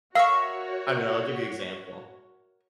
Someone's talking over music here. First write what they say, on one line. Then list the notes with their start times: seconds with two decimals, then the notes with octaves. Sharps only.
I don't know, I'll give you example.
0.15 F#4 A#4 C#5 E5 F5 C#6 E6